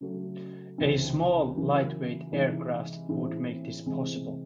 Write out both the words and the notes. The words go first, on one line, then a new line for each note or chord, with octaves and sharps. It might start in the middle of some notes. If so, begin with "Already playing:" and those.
A small, lightweight aircraft would make this possible.
C#3 F#3 A3
C#2 C3 E3 C4 E4
F#2 C#3 E3
C3 E3 G#3 D#4
A2 E3 C4 E4 G#4
C3 E3 G#3 C4